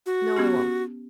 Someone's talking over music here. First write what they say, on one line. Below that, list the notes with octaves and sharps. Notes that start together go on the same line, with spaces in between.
No, I won't.
F#4
B3 C#4 G4